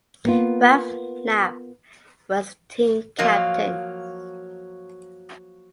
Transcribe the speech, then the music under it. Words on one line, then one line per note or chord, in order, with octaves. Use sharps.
Ralph Knapp was the team captain.
A#3 B3 F4
F3 F#3 A#3 D#5 F5